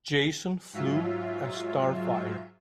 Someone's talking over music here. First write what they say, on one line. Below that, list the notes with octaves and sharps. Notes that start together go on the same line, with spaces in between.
Jason flew a "Starfire".
G#2 F#3 F4 E5